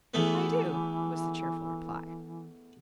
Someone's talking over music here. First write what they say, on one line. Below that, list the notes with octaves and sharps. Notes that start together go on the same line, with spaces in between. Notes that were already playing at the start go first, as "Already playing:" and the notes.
"I do," was the cheerful reply.
E2 E3 A3 B3